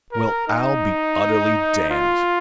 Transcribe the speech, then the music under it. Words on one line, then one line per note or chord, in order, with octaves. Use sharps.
"Well, I'll be utterly damned!"
A#4
D#4
F4